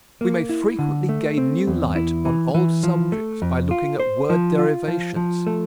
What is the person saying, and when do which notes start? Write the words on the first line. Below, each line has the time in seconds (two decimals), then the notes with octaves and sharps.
We may frequently gain new light on old subjects by looking at word-derivations.
0.21 A#3
0.49 E4
0.79 D3
1.09 A3
1.38 C4
1.67 E2
1.95 E4
2.25 E3
2.54 E3
2.83 F3
3.12 A3
3.42 F2
3.71 F4
4.00 C5
4.30 F3
4.58 F4
4.88 F3
5.16 F3
5.47 A3